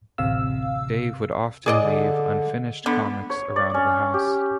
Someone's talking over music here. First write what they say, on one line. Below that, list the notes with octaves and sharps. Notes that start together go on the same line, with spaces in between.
Dave would often leave unfinished comics around the house.
A1 D2 C3 F5 E6
A2 G#4 D5 D#5
D3
D3 B3
C#5
D5
C#4
G4